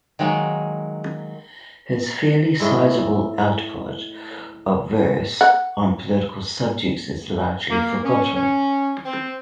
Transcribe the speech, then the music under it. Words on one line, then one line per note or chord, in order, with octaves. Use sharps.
His fairly sizeable output of verse on political subjects is largely forgotten.
D#3 F#3 G#3 A#3
A2 G#3 E4
F#5
A#3
C#4
C#4
C4